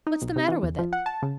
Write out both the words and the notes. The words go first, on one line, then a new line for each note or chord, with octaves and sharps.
What's the matter with it?'
D#4
B1
C3
E3
E2
F3
F#5
A5
C#3